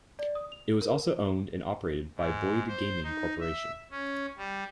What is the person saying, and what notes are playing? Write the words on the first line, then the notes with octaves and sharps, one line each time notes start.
It was also owned and operated by Boyd Gaming Corporation.
D5
D#6
F7
A#4
G#2
C5
D#4
E5
C#4
G3